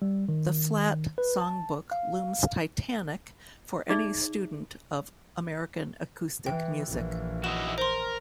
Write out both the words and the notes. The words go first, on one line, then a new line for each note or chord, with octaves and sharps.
The Flatt songbook looms titanic for any student of American acoustic music.
G3
D#3
B4
A5
F5
D#4 G#4 D5 E5
E3 G5
A#1 E3
D#4 E4 F#4 E7
A#4 C5 C6